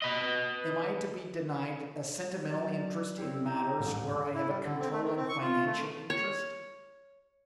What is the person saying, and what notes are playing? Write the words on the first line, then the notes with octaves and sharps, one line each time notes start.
Am I to be denied a sentimental interest in matters where I have a controlling financial interest?
B4 D#5
F#3 C#4 D5 A6
C4 C#4 E4 G4
G5 A#5
D#1 A1 G#2
E4
G3
D3
C4
A3
D#3
C4
C#6
F4
A3
C#5